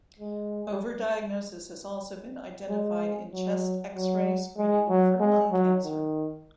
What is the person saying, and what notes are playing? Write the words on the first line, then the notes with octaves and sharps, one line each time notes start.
Overdiagnosis has also been identified in chest x-ray screening for lung cancer.
G#3
G#3
F#3
F#3
G#3
F#3
G#3
F#3
D#3